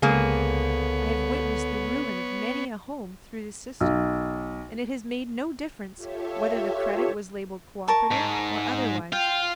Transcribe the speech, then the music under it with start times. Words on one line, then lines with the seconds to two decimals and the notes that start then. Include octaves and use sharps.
I have witnessed the ruin of many a home through the system, and it has made no difference whether the credit was labelled co-operative or otherwise.
0.02 C#2 D3 A#3 B3 G#4 C#5
3.80 B1
5.95 F4 G4 A4 C#5 E5
7.88 A#4 A5 C#6
8.12 G#2
9.13 F4 G5